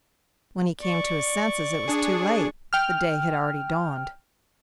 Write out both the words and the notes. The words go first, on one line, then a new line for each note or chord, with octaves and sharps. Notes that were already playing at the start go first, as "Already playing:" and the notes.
When he came to his senses it was too late; the day had already dawned.
D5 C#6
D4 G#4
G5 F6